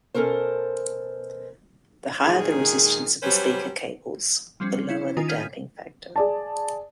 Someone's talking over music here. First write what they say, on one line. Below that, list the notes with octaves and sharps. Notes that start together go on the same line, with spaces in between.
The higher the resistance of the speaker cables, the lower the damping factor.
B2 C#4 A4 A#4 C5
A#2 D#3 G#3 G#4
F#3 G3 C#4 G4 B4 C5
F3 G3 C4 C#4
C#4 E4
D#3 D#4 F4 G#5 A6
F6 G6 G#6 B6 D#7
G#4 D5 A5